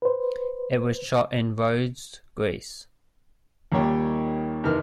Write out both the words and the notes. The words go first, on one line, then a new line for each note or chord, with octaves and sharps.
It was shot in Rhodes, Greece.
B4 C5
D#2 A#2 D#3 G3 C#5 G5
F2 C3 D#3 E3 A#4 F6